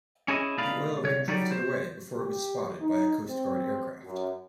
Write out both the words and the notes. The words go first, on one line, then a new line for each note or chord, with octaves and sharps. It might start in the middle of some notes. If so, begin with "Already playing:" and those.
The oil rig drifted away before it was spotted by a Coast Guard aircraft.
C#4 E4 G#4 D#5
B2 A3 D#4 D5 F5 B5
C2 C#5
F#3 G3 D#4 F#4 D5
C5
G4
D#4
C4
F#2